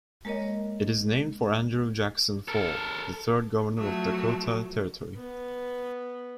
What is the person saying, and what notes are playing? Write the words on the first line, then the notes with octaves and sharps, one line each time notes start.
It is named for Andrew Jackson Faulk, the third Governor of Dakota Territory.
G#3 A#3 A#4 C#5 D#5
A4 A#4
F3 F#3 A3
B3